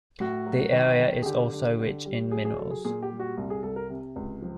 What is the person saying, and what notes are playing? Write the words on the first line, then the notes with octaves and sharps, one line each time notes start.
The area is also rich in minerals.
A2 F#4
F#3
D#3
D#3
G#4
D3 G4
D3
D3
G3
F#3 G#4
G#4
F#3 A4
G#4
A#2 G#4
G4
G3
F#4
C2
G#4
C2 A4
A#4
C3
C#2
F3